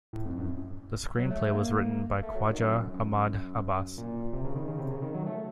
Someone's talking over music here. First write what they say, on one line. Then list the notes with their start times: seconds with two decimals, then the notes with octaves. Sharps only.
The screenplay was written by Khwaja Ahmad Abbas.
0.13 A2
0.26 F2
0.38 F#2
1.18 F#3
1.31 A3
1.41 A3
1.53 A#3
2.23 A3
2.35 F#3
2.46 D#3
2.58 F#2
2.69 F#2
2.81 F#2
2.94 F#2
3.98 A#2
4.33 C3
4.45 C#3
4.56 D#3
4.68 C#3
4.79 C3
4.91 C#3
5.02 D#3
5.14 F#3
5.26 A3